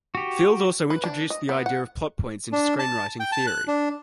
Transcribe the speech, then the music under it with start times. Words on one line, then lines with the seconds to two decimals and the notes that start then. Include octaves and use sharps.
Field also introduced the idea of Plot Points into screenwriting theory.
0.15 F#4 G4
0.90 B4
1.04 D4
1.30 D#5
1.49 B3
1.66 F#5
2.53 D4
2.79 A5
3.20 G5
3.32 A5
3.47 F#6
3.68 D4